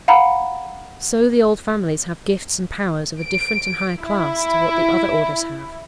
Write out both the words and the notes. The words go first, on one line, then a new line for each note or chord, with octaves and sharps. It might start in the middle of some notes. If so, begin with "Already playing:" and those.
So the old families have gifts and powers of a different and higher class to what the other orders have.
F5 F#5 A#5 B5
D7
E4